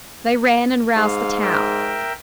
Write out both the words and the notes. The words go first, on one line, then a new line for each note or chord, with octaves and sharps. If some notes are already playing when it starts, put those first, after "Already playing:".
They ran and roused the town.
G#2 F5
A#4 E5 G5